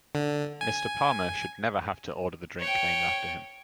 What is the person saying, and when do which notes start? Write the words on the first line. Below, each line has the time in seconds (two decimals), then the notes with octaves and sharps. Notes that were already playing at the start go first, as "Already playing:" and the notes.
Mr. Palmer should never have to order the drink named after him.
0.15 D3
0.61 G#5
2.60 C#5 G5